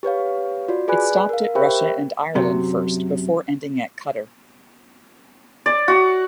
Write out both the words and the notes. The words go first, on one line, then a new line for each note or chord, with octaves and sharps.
It stopped at Russia and Ireland first before ending at Qatar.
G4 B4 C#5 F5
F4 F#4 D5
G#4 B4 D5 G#5 B5 F#6
A#4 F5
G4 A#4 C5 E5 G5 B5
F#2 C3 F#3
D5
F#4